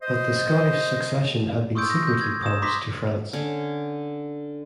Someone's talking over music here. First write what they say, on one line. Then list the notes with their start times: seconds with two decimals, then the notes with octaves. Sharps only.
But the Scottish succession had been secretly promised to France.
0.03 C5 D#5
1.75 C6 C#6 D#6 E6 G6 D7
1.90 A#6
2.07 G6
2.21 G#6
2.43 D#6 E7
2.62 A#5 C6 D6 D#6 A#6 B6
3.33 D3 C#4